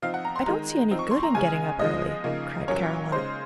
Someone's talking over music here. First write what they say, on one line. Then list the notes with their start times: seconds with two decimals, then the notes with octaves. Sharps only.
"I don't see any good in getting up early," cried Caroline.
0.02 F3 C4 D#4 F5
0.14 F#5
0.25 A#5
0.36 C6
0.46 D#3 G#3 D#4 A#5
0.91 F3 C4 D#4
0.99 C#6
1.11 C6
1.23 A#5
1.34 C#3 G#3 C#4 G#5
1.79 F3 G#3 D#4 D#5
2.24 C#3 F3 A#3 D#4
2.68 A#2 F#3 A#3 C#4 C#5
3.12 C#3 G#3 D#4 C5